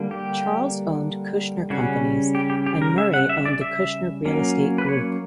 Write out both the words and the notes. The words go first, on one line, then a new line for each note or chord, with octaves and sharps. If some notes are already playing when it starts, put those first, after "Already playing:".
Charles owns Kushner Companies and Murray owns the Kushner Real Estate Group.
Already playing: D3 G3 A#3 D4
G4
C#3 G3 C#4 F#4
G4
G4
G4
A#4
E5
F#5
E5
D5
E5
F#3 A#3 C#4
B4
C#5